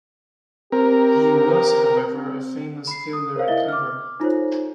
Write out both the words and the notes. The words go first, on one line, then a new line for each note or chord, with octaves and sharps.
He was however a famous fielder at cover.
C4 G4 A#4
B5 C7
D#6
A#4 C5 C#5 F5
E4 A#4 D#5 E5 G7
D6 F6
D#4 F4 A4 C5 C#5